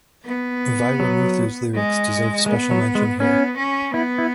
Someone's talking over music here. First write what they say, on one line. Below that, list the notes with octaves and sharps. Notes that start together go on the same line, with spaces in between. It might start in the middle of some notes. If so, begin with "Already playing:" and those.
Vairamuthu's lyrics deserve special mention here.
B3
F#3
G#3
G#3 B3
F#3
G#3
B3 C#4
C#4
B3 E4
E4